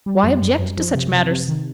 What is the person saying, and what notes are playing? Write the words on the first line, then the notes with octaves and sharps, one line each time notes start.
Why object to such manners?
G3
F#2
F#2
F#2
F3
C3
C3
C3
D#3